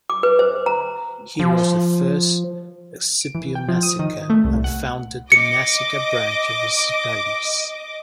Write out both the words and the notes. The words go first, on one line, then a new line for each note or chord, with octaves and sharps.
He was the first Scipio Nasica and founded the Nasica branch of the Scipiades.
D6
B4
C5
A#5
F3
D7
E3
G5
F3
D#6
D#3
A3
C2
F#5
D#5 D6 C#7